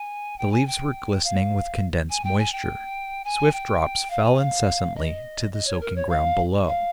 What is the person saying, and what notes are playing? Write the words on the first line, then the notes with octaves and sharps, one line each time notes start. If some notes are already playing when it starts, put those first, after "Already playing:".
The leaves were glistening with condensed moisture; swift drops fell incessantly to the soaking ground below.
Already playing: G#5
G5
G#5
G5
F5
G#5
G5
G#5
G5
G#5
G5
F5
G#5
F5
D#5
D#5
C#5
A#4
C#5
F5
F5